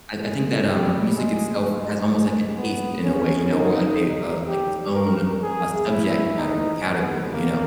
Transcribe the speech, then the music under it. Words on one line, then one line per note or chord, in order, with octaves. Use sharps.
I I think that, um, music itself has almost like a taste in a way, you know, or like a, uh, like its own, uh, subject matter or category, you know?
G#3
G3
G#3
G#3
G#3
B3
C#4
D#4
G4
A#4
G#4
E4
D#4
B3
A#3